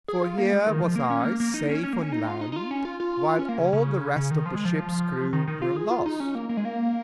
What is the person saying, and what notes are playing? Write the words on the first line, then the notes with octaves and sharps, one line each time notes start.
For here was I safe on land, while all the rest of the ship's crew were lost.
G#4
F4
A#3
G#3
D#3
F3
A#3
C#4
A#3
A#3
D#4
C#4
C#4
A#3
C#4
D#4
F4
D#4
D#4
F4
C#4
F4
F4
F4
C#4
A#3
C#3
C#3
C#3
D#3
F3
G#3
F3
D#3
D#3
F4
G#4
F4
D#4
C#4
A#3
A#3
G#3
A#3